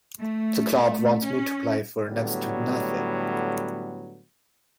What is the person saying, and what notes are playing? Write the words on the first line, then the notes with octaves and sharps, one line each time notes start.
The club wants me to play for next to nothing.
A3
C#4
A2 D3 F#3 G3 B3